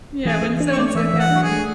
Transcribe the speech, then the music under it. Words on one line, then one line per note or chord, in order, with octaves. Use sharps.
Yeah, when's so-and-so coming.
E3 G#4
E3
D4
C#5
A3 D5
C#5
E3 E5
E3
F#5
D4 F#4
G#4
A3